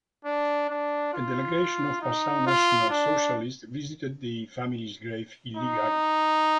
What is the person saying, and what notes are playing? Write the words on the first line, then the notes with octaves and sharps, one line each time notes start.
A delegation of Passau National Socialists visited the family's grave illegally.
D4
D4
F4
D#4
F4
D4
D#4